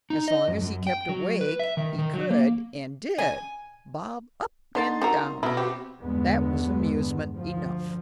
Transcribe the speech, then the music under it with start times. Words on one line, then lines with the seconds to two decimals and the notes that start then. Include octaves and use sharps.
As long as he kept awake, he could, and did, bob up and down. That was amusement enough.
0.10 D#4
0.28 D#5
0.48 F#2
0.62 F#2
0.87 G5
1.09 F#3
1.41 B4
1.59 E5
1.77 D#3
1.98 D#3
2.13 F#3
2.31 A#3
3.18 G#5
4.75 D3 D#4 C6 A6
5.02 C4 F#4 A#4
5.43 B2 B3 E4
5.57 C4 F#4 G4
5.99 E2 G2 D3 G#3 B3
7.37 D2 F3